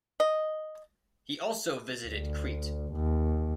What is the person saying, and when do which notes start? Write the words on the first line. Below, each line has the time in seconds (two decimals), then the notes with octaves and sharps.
He also visited Crete.
0.20 D#5
2.07 D2
2.94 D#2